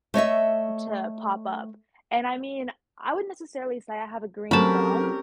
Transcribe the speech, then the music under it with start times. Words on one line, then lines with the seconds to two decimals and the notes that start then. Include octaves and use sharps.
to pop up. And I mean, I wouldn't necessarily say I have a green thumb,
0.14 A3 C#5 D#5 E5
4.51 C3 F#3 A3 C4 C#4 A#4 A5 B5